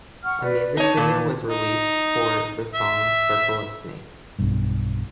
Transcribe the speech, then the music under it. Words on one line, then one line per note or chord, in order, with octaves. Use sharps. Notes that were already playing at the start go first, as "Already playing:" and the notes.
A music video was released for the song "Circle of Snakes".
F#5 C#6 F6
B4 D5
D#4 C#5 A5
A#2
D#4
E5
B1 G2